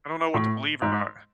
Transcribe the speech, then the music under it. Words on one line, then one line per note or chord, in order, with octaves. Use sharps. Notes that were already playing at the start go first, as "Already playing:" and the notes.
I don't know what to believe or not.
A2
G#2